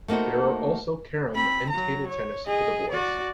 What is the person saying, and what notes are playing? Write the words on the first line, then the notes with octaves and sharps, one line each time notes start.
There are also carrom and table tennis for the boys.
A3 A#3 D#4 F#4 C5
C4 B5
F#3 A#5
C#5
G#4 D#5
F#4 D5